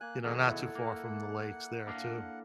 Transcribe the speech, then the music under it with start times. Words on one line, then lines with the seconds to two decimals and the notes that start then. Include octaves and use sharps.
you know, not too far from the lakes there too.
0.01 A#3 G#5 F#6
0.24 B2 D#3 F#3 G#4 A4 F#5
0.46 A3 E4
0.75 A#3
1.87 A#3 D4 F5